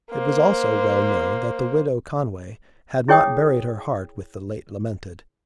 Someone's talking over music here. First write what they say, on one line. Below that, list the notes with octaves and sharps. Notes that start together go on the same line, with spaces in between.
It was also well known that the Widow Conway had not buried her heart with the late lamented.
A#3 C5
E4 G#4 C#5 G5 G#5 D#6